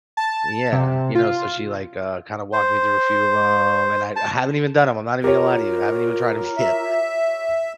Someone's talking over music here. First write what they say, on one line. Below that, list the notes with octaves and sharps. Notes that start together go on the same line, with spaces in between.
Yeah, you know? So, she, like, uh, kinda walked me through a few of 'em, and I I haven't even done 'em, I'm not even gonna lie to you, I haven't even tried 'em yet.
A5
C3
F4
C5
A5
F4 G4 A#4 C#5
E5